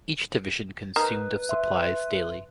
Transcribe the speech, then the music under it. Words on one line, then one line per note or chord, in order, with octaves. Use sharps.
Each division consumed of supplies daily.
D#4 A#4 B4
E5 C6